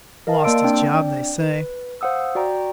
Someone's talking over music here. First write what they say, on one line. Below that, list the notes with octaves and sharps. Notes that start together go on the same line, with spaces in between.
Lost his job, they say.
A#4 D#5 F5 A5
A#3 D5 A5 C6 E6 D7
C4 D4 D5 G5
B4
C5 F5 F#5 D#6 E6
F#4 D5 G5 A#5